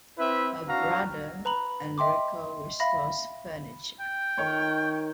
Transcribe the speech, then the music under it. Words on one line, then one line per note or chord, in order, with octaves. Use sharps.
Her brother, Enrico, restores furniture.
C4 E4 B4 E5
D4 F#4 F5 A#5
B4 A#5 B5 F#7
D#5 E5 G5 C6 D6
E5 F5 B5 A#6
G5
D#3 C#5 C#6